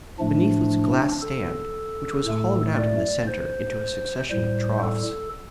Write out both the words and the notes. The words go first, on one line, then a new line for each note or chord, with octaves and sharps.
Beneath was a glass stand, which was hollowed out in the centre into a succession of troughs.
A2 F3 A3 D4
A4
A2 A3
D5
C5
A2 G3 C5
A4